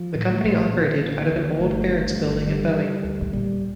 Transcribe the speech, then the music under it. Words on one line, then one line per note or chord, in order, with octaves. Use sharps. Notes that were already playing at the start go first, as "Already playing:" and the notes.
The company operated out of an old barracks building at Boeing.
Already playing: F3
A2
A3
A#1
D3 A#3
D3
D2
G1 A3
G2
G1
D3 G3
D3
D2
A#2 G3